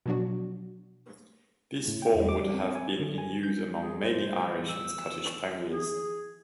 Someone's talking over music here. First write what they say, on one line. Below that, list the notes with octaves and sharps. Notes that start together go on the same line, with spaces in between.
This form would have been in use among many Irish and Scottish pioneers.
B2 F3 F#3 D4 F#4
A2
G5
E2
D6
G3
C4
G#5
D3
G#5
G6
G#4
C5
E6
G#4